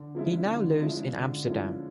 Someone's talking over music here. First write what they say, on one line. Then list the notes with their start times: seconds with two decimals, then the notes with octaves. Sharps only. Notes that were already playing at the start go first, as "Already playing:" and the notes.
He now lives in Amsterdam.
Already playing: D3
0.15 F3 G#3 C#4 E4
0.47 D3
0.81 F3 G#3 C#4 E4
1.14 D3
1.46 F3 G#3 C#4 E4